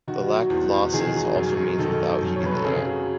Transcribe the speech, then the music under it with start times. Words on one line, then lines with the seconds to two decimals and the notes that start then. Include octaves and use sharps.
The lack of losses also means without heating the air.
0.08 D#3 F#4
0.29 F#3
0.50 E2
0.72 E2
0.94 D#3 G#4
1.14 F#3
1.36 F#2
1.57 F#2
1.79 D#3 A4
2.01 F#3
2.23 F#2
2.36 C#5
2.43 F#2 B4
2.56 A4
2.65 C#3 G#4
2.86 F#3